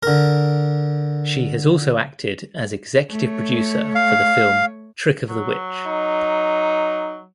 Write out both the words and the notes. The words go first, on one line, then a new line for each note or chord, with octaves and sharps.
She has also acted as executive producer for the film "Trick of the Witch".
D3 A#4
A3 C#5
F5
F#3
D#4